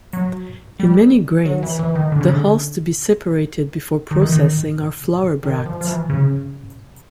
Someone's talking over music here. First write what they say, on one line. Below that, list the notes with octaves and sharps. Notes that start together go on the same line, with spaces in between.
In many grains, the "hulls" to be separated before processing are flower bracts.
F#3
G3
F#3
E3
E3
D#3
D3
C#3
D3
D#3
E3
D#3
D#3
F3
F3
E3
C#3